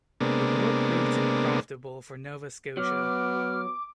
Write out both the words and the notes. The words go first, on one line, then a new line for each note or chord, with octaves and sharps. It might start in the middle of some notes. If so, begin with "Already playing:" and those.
The war proved to be profitable for Nova Scotia.
C3 G#3 A#3 B3 D4
F#3 B3 D6 F6